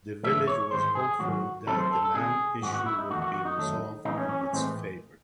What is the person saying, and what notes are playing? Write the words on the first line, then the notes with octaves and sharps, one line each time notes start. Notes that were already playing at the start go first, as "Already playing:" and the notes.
The village was hopeful that the land issue would be resolved in its favour.
G#2 E3 A3 E5
C#5
G#2 D#3 G#3 C5
G#4
G#2 D#3 F#3 F#4
E2 C3 D#3 F#3 A3 A4
C5
A4
A4
C3 D#3 G#3 G#4
G#2 D#3 G#3 F#4
F#4
E4
D#4
E2 D#3 A3 F#4
F#4
F#4
D#4
F#2 D#3 F#3 A3
A2 E3 G#3 D#4
C#4
C#4
C#4
A2 E3 G#3 C4